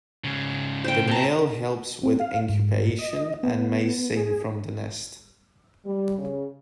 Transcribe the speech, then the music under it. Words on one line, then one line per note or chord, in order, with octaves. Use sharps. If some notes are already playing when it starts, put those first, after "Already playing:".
The male helps with incubation and may sing from the nest.
G#2 C#3
C5 G5
A2 C4 A5 A#5
C4
F5
G#2
D#5
B3
G#4
G3
C#3